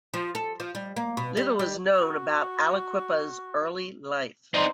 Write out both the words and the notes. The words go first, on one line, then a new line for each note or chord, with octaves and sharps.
Little is known about Aliquippa's early life.
F3
A4
F3
G3
A#3
B2
G3
G3
F#4 C#6
E3 C4 D#4 D5 A#5 C6